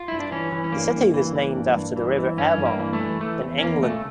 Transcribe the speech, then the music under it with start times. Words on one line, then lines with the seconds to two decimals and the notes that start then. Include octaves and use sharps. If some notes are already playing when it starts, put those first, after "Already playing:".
The city was named after the River Avon, in England.
Already playing: F4
0.08 G2 E4
0.20 D4
0.31 E3 C#4
0.52 E3
0.64 C#4
0.72 G2 A#3
0.94 G2
1.14 E3
1.35 E3
1.55 G2
1.77 G2
1.96 E3
2.18 E3
2.38 G2 C#4
2.58 G2
2.66 A#3
2.79 E3
2.93 A3
3.00 E3
3.21 E3 A3
3.42 E2
3.58 C#4
3.62 E2 A#3
3.82 C#3 A3